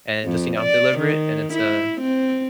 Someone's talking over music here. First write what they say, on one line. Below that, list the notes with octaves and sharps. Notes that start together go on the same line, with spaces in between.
and just, you know, deliver it and it's, uh
F2
D5
D#3
E4
C4